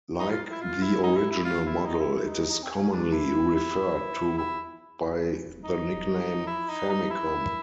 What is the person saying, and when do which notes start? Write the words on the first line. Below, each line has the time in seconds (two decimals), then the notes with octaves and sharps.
Like the original model, it is commonly referred to by the nickname "Famicom".
0.19 D#4
0.30 F4
0.51 E4
0.61 F4
0.82 E4
1.03 D#4
1.16 E4
1.31 E4
1.45 F4
1.67 E4
1.86 D#4
2.00 E4
2.15 E4
2.29 D#4
2.50 D#4
2.63 C4
2.70 C#4
2.92 D4
3.13 E4
3.55 E4
4.38 E4
5.64 D#4
6.47 E4
6.69 D#4
6.89 D#4
7.10 E4